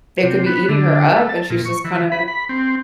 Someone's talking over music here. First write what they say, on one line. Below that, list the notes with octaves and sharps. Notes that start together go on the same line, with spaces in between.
it could be eating her up, and she's just, kinda
C3
B3
D3
A3
A5
A#2
C#6
E3
B5
B5
C4